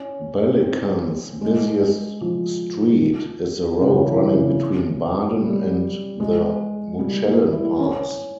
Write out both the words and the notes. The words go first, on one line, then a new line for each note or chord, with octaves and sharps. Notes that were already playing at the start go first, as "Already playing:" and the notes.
Bellikon's busiest street is the road running between Baden and the Mutschellen pass.
Already playing: C#4
C4
G#3
F3
C#3
E3
C#3
G3
G#3
G3
A#3
E4
C#4